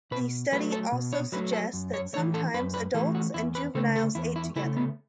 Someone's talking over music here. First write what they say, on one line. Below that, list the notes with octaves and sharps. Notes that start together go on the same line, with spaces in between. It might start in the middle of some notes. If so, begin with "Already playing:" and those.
The study also suggests that sometimes adults and juveniles ate together.
B2 B4
F#3 A3 B4
A4
B2
C#5
F#3 A3 B4
A4
F#2
C#5
E3 A3 C#5
A4
F#2 B4
B4
E3 A3 A4
F#4
E2 E4
B4
C#3 A3 A4
A4
E2 E4
E4
C#3 A3 E4
B3